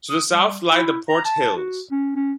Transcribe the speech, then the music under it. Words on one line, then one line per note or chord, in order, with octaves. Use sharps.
To the south lie the Port Hills.
D#6
G3
E4
A#5
A5
F#4
C#4
C#4